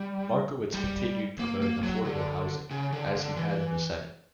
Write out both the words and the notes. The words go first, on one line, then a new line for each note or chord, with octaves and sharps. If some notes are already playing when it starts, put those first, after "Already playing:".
Markowitz continued promoting affordable housing, as he had in the Senate.
Already playing: G3
G3
A#3
A#3
F#3
D3
C#3
D3
D3
E3